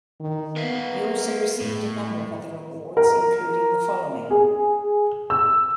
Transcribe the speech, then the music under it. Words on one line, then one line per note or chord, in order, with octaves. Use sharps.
He also received a number of other awards, including the following.
D#3
B3 A#4 E5 F5
A2
A#4
G#4
E6